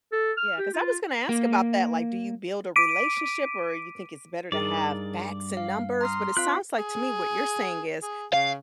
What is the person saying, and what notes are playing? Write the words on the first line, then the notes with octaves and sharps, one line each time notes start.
yeah, 'cause I was gonna ask about that, like, do you build a relationship, or you think it's better to have facts and numbers, but it sounds like to me, what you're saying is,
A4
F6
G4
F4
A#3
D6 B6 D7 D#7
G2 D#4 G#4 A#4 D5
F5
A#5 C6 D#6 F6
C4 F4 F5 F#6
G#4
G#4
C#3 F5